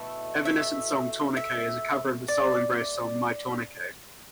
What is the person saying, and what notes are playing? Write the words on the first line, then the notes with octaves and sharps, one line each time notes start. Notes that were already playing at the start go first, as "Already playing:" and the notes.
Evanescence's song "Tourniquet" is a cover of the Soul Embraced song "My Tourniquet".
Already playing: B2 A3 E4
E5
E5
D5